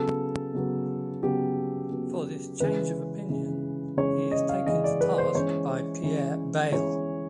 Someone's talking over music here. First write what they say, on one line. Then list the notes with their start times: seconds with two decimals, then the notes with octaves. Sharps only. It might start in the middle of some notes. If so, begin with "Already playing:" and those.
For this change of opinion he is taken to task by Pierre Bayle.
Already playing: C#3 F#3 B3 A4
0.54 C#3 F#3 B3
1.23 C#3 F#3 B3 G4
1.91 C#3 F#3 B3
2.60 C#3 E3 G#3 C#4 B4
3.29 C#3 E3 G#3 C#4
3.97 C#3 E3 G#3 C#4 C#5
4.31 D#5
4.49 F5
4.66 C#3 E3 G#3 C#4 D#5
4.84 D5
5.01 B4
5.18 C5
5.35 E3 G#3 C#4 C#5
6.03 E3 G#3 C#4
6.72 E3 G#3 C#4 C#5